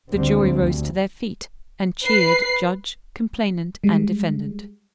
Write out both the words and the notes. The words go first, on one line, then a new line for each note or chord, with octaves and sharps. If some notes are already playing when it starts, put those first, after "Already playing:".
The jury rose to their feet and cheered judge, complainant, and defendant.
D2 D3 G3 C4
D2
B4 C7
G3 G#3